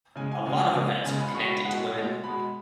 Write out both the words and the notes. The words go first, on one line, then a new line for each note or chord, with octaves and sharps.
A lot of events are connected to women.
C#3 G#3 G#5
G#5
C#3 G#3
C#3 G#3
C#3 G#3 G#5
B5
B2 G#3 C#6
B5
B2 G#3 F#5
B2 G#3
B2 G#3 B5